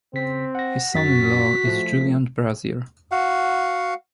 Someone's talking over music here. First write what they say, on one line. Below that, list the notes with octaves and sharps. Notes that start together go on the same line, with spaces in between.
His son-in-law is Julian Brazier.
C#3 C4 B6
F#5 A#6
F#2 F#4 A6 B6
F3 A3
F#4 F5 F#5